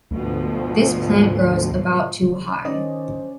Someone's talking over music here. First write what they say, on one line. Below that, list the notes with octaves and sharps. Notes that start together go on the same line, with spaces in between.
This plant grows about to high.
D2 G#2 B2 F3
D#3 C#4 C5 D5 D#5